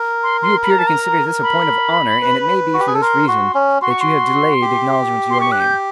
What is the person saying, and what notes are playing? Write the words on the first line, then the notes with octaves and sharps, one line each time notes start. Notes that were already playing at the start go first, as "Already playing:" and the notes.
You appear to consider this a point of honor, and it may be for this reason, that you have delayed acknowledging your name.
Already playing: A#4
C6
C6
B5
A#5
A5
A#5
B5
B4
F#4
G4
G#4
A4
A#4 C6
F#4
C#4
F#4 C6
C#6
C6
G4
C6
C#6
F#6
G6